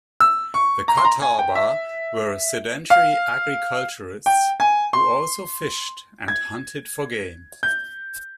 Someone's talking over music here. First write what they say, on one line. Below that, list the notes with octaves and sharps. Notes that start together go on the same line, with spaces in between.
The Catawba were sedentary agriculturists, who also fished and hunted for game.
E6
C#6
A#5
C6
A#5
G#5
G5
E5
F5
G5
G#5
C6
G#6
G6